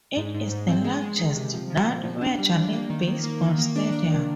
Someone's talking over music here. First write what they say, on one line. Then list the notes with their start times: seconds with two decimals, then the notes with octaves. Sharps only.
It is the largest non-Major League Baseball stadium.
0.17 G#2
0.34 G#2
0.52 G#2
0.68 C4
0.84 G#3
1.02 G#3
1.19 D#3
1.36 C3
1.54 F3
1.70 F3
1.88 A#2
2.05 F3
2.21 D4
2.38 G3
2.56 D4
2.73 A#3
2.90 D#3
3.08 A#3
3.24 A#3
3.41 D#3
3.58 A#3
3.76 D4
3.92 D4
4.10 D#3